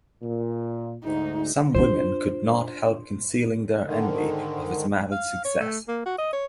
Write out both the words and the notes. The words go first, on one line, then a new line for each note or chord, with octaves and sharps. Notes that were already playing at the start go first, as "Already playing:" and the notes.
Some women could not help concealing their envy of his marriage success.
A#2
D2 G#2 D#4
D4 F4 C5
G#2 D3 D#3
F5
C#5
A3
A#3
F#4
D#5
C#5